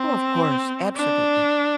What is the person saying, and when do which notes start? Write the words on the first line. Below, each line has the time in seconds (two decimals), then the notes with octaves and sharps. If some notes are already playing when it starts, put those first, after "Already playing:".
Oh, of course, absolutely.
Already playing: C4
0.96 D4